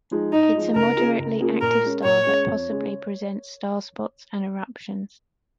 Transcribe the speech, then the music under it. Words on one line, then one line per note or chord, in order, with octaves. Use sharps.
It’s a moderately active star that possibly presents star spots and eruptions.
F3 G#3 D#4
G#2 D#4
F3 G#3 D#4
C#2 A#4
C#3 A#3 F4 G#4
C#2
C#3 A#3 F4 G#4
A#2 A#4
G#3 C#4
A#2 C#5
G#3 C#4
F2
C#3 G#3